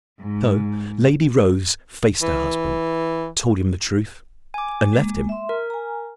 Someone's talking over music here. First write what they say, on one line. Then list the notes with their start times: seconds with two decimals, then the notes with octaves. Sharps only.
So Lady Rose faced her husband, told him the truth, and left him.
0.19 G#2
2.22 E3
4.54 G#5 D6
4.93 G#3 A#3
5.29 E5 C6
5.49 A#4
5.70 G#5 A#5